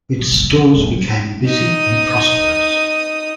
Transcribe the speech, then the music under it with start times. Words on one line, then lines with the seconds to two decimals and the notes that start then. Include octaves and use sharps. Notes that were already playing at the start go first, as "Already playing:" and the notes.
Its stores became busy and prosperous.
0.19 A#2 F3
0.31 G1 F4
0.43 C3 F3
0.57 G#1
0.74 D1 D4
0.91 A#2 F#3
1.46 D#4 D#6